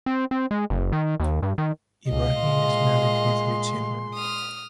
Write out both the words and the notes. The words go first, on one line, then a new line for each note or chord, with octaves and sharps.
Ibrahim is married with three children.
C4
C4
G#3
F#1
D#3
D#2
G2
D#3
C#2 D#5 F5
A#2 G#3 C6
D#6 F6